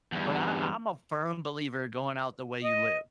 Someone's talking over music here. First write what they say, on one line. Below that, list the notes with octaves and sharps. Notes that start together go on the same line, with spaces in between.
but I I'm a firm believer going out the way you live,
E2 G2
D#5